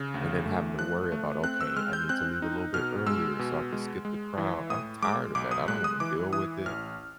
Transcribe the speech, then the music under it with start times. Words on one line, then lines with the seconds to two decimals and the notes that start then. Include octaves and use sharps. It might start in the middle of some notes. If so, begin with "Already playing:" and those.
and then having to worry about, "Okay, I need to leave a little bit earlier so I could skip the crowd." I'm tired of that, I don't wanna deal with it.
Already playing: C#3
0.14 D2
0.46 A3
0.79 F3 F#6
1.12 A3
1.44 C4 F#6
1.61 E6
1.77 G#3 F6
1.93 G6
2.09 C4 F#6
2.42 D#4
2.74 B2 F6
3.07 G#3 E6
3.39 B2
3.72 G#3
4.05 G#3
4.38 E3
4.70 A2 D#6
5.02 G#3 D6
5.35 B1 D6
5.51 D#6
5.68 G#3 F#6
5.84 D#6
6.00 E3 D6
6.33 E3 D#6
6.66 A1 F6